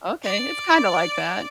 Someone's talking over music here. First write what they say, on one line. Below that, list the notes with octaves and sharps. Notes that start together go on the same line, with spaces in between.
Okay, it's kinda like that.
D5